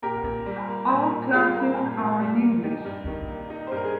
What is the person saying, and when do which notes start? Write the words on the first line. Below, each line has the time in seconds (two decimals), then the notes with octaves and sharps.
All classes are in English.
0.02 A#2 G4 A#4
0.24 A#2
0.46 G3
0.68 A#3
0.89 A#2
1.11 A#2
1.33 G3 F4 G#4
1.55 A#3
1.76 A#2
1.98 A#2
2.20 G3
2.42 A#3
2.63 D#4 G4
2.85 G2
3.06 D#3
3.28 A#3
3.50 D#4
3.67 C5
3.72 G2 A#4
3.84 G#4